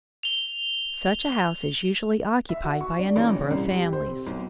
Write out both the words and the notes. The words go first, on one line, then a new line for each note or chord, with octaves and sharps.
Such a house is usually occupied by a number of families.
F7 G7
E5
F#4
C#6
D4
A1
C#4
C2
G4
C5
C3
B1